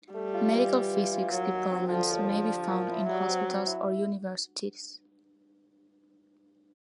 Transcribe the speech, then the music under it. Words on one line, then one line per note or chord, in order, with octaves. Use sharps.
Medical physics departments may be found in hospitals or universities.
G3 A3
F4
E3
F4
E3
F4
D#2 F#3
D#2
C4
D3 F3
D#2
D3
G3
A#2
E4
F#3 G3
C4
C4
E4